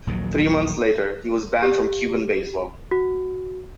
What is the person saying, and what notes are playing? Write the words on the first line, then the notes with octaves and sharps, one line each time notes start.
Three months later, he was banned from Cuban baseball.
A#1 D#2 D#3 F#3
G4
F#4